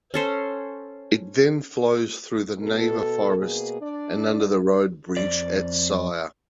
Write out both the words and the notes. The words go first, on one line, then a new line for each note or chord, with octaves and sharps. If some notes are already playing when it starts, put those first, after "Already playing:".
It then flows through the Naver Forest and under the road bridge at Syre.
C#4 A4 C5
B2 A4
B2 A#3 G#4
D4 D5
F2 D5